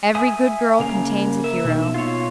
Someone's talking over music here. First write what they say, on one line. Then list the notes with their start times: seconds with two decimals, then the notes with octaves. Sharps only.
Every good girl contains a hero.
0.15 E5 G#5 D#6
0.79 C#3 A#3 A#4 F5
1.44 A#4 E5
1.65 B2 A#3 D#4
1.94 F4 C#5